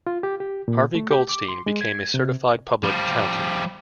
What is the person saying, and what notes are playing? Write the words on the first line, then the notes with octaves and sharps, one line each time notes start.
Harvey Goldstein became a certified public accountant.
F4
G4
G4
A#2
A3
G4
D6
C6
G#3
G#6
C3
F3 G3